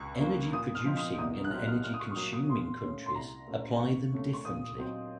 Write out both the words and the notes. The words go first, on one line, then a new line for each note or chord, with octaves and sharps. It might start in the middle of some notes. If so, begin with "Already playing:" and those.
Energy producing and energy consuming countries apply them differently.
Already playing: C#2 C#6
C#3 F3 A#3
A#2 D#6
F6
F3 C4 D#4
D#6
C2 D#6
F#6
C3 F#3 C4 D#4 F6
F6
A#2 F6
D#6
C#6
C#6
F#3 A#3 D#6
D#6
A#2 C6
A3 C#4
C6
C2 A#5
A#2 A3 C#4
D#2 C#6
C#3 A3 C#4
C#6
A#2 D#6
F#3 C4 D#4